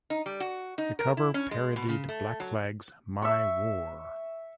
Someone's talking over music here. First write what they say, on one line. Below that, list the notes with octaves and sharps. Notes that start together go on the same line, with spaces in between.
The cover parodied Black Flag's "My War".
D#4
G3
F#4
D#4
A#4
E4
C#4
G#3
B2
C#3
A3
F#3
E5 C#6